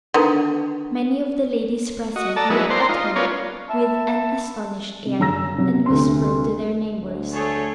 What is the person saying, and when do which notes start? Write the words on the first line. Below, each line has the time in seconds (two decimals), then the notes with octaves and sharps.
Many of the ladies present looked at her with an astonished air, and whispered to their neighbours.
0.14 D3 D#3 B3
2.16 F#4 D#5
2.36 A4 D5 A5 A#5
2.50 F#3 G#3 B3 D#4 E4
2.70 C5 D5 A#5 C6
2.89 D#4 F4
3.16 B3 C#4 F4 A#4 C#5 D5
3.70 E5 A5 B5
5.06 C3
5.20 F#2 C#3 A#5 E6 A#6
5.58 C3 F#3
5.86 D2 C3 B3 C6
7.00 D2
7.33 A3 G#4 A4 C#5